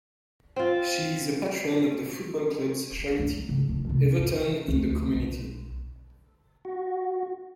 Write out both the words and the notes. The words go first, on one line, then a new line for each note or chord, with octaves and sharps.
She is a patron of the football club's charity, Everton in the Community.
C4 F4
D#4
C#3
D1
C3
E4
D2
B1
F#4